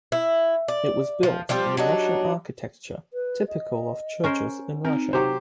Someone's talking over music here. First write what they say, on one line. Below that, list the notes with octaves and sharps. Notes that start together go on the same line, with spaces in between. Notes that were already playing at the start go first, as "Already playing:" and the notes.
It was built in the Russian architecture typical of churches in Russia.
E4
D5
F3
F3 G3 C4 G4
F#3 D4 D#4
B4
D#5
C#4 A#4 C5
C4 D#4 A#4
C3 F#3 G4 C5